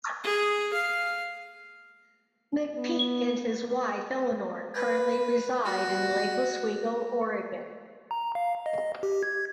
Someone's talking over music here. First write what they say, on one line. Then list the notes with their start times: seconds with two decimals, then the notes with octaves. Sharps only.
McPeak and his wife Elynor currently reside in Lake Oswego, Oregon.
0.23 G#4
0.73 F5
2.77 B3
4.76 B4
5.64 F#4
8.11 A#5
8.35 F5
8.66 D#5
9.03 G4
9.23 G#6